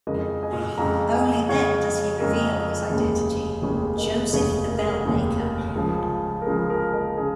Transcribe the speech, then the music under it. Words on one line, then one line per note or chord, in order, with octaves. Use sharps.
Only then does he reveal his identity: Joseph the Bellmaker!
F2 C#3 G#3 A#4 D#5
D#5 G#5
F2 C#3 G#3 F5 A#5
D#5 G#5
F2 C#3 G#3 C#5 F5
F2 C#3 G#3 A#4
F1 D#2 C#3 G#3
F1 D#2 C#3 G#3 G#4 C#5
A#4 D#5
D#5
F1 D#2 C#3 G#3 G#4 C#5
A#4
G#4
A#4
F1 D#2 C#3 G#3 A#4
A#4
C#2 C#3 F3
A#4
C#2 C#3 F3 G#4
A#4
A#4 D#5
C#3 G#4